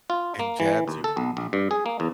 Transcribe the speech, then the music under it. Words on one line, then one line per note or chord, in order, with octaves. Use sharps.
And jabs you.
F4
A#3
E3
D#2
A4
B1
A#1
G2
G#4
A#3
E2